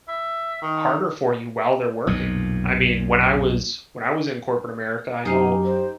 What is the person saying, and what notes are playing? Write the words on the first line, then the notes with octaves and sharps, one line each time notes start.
harder for you while they're working. I mean, when I was, when I was in corporate America, I know,
E5
D#3
B1 F2 A#2
F#2 D#4 G4 F5 G#5
C5